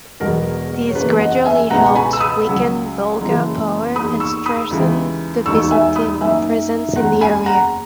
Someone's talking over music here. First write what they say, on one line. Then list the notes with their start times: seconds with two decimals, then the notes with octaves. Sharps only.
These gradually helped weaken Bulgar power and strengthen the Byzantine presence in the area.
0.20 E1 E2 B2 F#3 B3 A#4
0.89 C#5
0.95 F#1 E2 C#3 E3 A#3 B4
1.20 D#5 F#5
1.45 E5 G#5
1.70 C#2 B2 G#3 B3 F#5 A#5
1.86 C#6
1.95 G#5 B5
2.13 E6
2.20 B5 D#6
2.45 C#2 C#3 F#3
3.21 F#1 F#2 C#3 E3 G#3
3.95 E2 D#3 A#3 B5 D#6
4.20 C#6 E6
4.46 B5 D#6
4.71 D#2 C#3 E3 G#3
5.46 E1 D#2 D#3 C#6 E6
5.71 E5 G#5
5.96 B5 D#6
6.21 F#2 D#3 A#3 E5 G#5
6.96 F#1 E2 C#3 F#5 A#5
7.21 G#5 B5
7.46 F#5 A#5